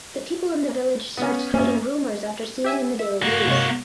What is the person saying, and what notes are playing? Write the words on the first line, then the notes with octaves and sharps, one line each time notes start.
The people in the village starts creating rumors after seeing in the daily news.
B3 C#4
F#2 A#3 C#4
G4 E5 G#5
E5
A#3 F#4
C3 G#3 C#5